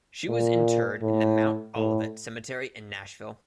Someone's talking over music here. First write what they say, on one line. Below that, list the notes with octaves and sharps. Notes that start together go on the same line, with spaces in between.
She was interred in the Mount Olivet Cemetery in Nashville.
A#2
A2
A2